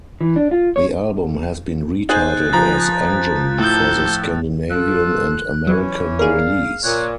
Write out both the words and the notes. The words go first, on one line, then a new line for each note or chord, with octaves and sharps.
The album has been retitled as "Engine" for the Scandinavian and American release.
E3
D4
F4
C#5
D#4 G#4 C5 F#6 G6 A6
F3 A#5 F#6 A6
A2 A4 G6
F4 A4 F#6
E3 F#3 C#4
G#4 A#4 D5 F5
A#2 C#5 F#6